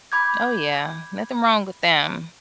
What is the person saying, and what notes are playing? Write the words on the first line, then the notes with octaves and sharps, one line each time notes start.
Oh, yeah. Nothing wrong with them.
B5 D6 G6 G#6